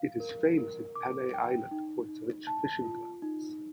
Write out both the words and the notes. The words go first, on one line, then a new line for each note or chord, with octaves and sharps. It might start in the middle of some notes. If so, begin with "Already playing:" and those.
It is famous in Panay island for its rich fishing grounds.
Already playing: F5
A#4
A#4
D6
G5
D#4
D#4
A5
F4
D#4